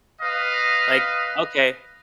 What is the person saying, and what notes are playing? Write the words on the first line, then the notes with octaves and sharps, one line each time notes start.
like, okay.
B4 D#5 F5